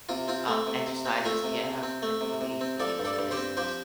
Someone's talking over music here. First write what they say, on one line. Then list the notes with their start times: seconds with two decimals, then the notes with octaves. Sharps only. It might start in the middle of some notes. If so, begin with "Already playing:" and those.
um, exercises, yeah, can really, really make a difference.
0.09 C3 F4
0.28 C4 F4
0.48 A3
0.67 C3
0.87 C3
1.05 C4
1.25 A3 F4
1.44 C3
1.64 C3
1.83 C4
2.02 A3
2.21 C3
2.41 C3
2.61 C4
2.80 F3 A4 D5
2.99 G2
3.05 A4 D5
3.19 G2
3.31 G4 C5
3.37 C4
3.57 F3 G4 C5